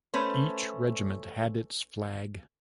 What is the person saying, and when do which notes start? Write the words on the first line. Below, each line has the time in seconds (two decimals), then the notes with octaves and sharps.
Each regiment had its flag.
0.14 A3 C#4 B4 C5